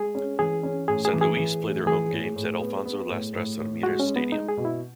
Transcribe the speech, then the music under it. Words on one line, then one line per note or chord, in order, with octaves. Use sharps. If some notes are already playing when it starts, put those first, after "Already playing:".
San Luis play their home games at Alfonso Lastras Ramirez Stadium.
Already playing: G#3 G#4
C#4
E3 G#4
C#4
A2 G#4
G#4
E3
G#4
E3
A2
E3 G#4
A2
A2
B3
B3
A2
A2
A2
G#3 F#4
C#4
G#3
B3
G#3 D#4
G#4
B2
E4